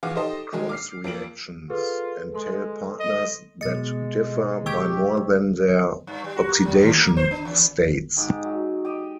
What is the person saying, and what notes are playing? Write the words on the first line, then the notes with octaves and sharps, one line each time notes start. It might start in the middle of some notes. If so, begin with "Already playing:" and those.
Cross reactions entail partners that differ by more than their oxidation states.
A#1 E3 G#4 F5 F#5 D6
D#4 G4 A4 C5 D#5 A5
D#3 F#3 G#3 D4 G#4 A#4
D6 F6 C7
F2 A#3 D7 F#7
F4 G#4 A4 B4
G#3 A4 C6
D#5
B2 G#3 D#5 A6 C#7
G4 C#6 E6 G#6
G2
G3
F#4
A#3
B2
D#2
A#3
C5
D4
E2
G#2 D#4 G4
F#3
G4 D#5